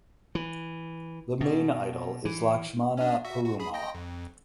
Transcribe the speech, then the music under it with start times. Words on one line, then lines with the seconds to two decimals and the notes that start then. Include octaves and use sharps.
The main idol is Lakshmana Perumal.
0.35 E3
1.41 B2
2.25 E3
2.97 C#4 D4
3.25 F#4 E5
3.45 F#4
3.60 G#4 B5
3.74 D#5 G5 A#6
3.94 F2